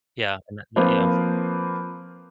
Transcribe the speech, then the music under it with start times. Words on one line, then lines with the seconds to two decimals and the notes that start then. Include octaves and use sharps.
yeah, and that that yeah.
0.76 F3 A#3 C4 F4 B4 C5